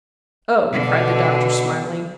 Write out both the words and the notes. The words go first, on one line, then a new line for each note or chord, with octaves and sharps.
"Oh," cried the doctor, smiling.
B2 D3